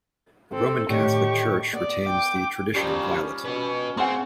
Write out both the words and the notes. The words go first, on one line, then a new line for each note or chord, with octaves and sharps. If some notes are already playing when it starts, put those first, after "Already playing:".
The Roman Catholic Church retains the traditional violet.
C4 A4
A2 D3 D#3 G4 C#6
B3 D5
G5 D6
F3 G3 C#4 G4 A#4
C#4 F#4 B4
C#3 C4 F#5 G#5 C6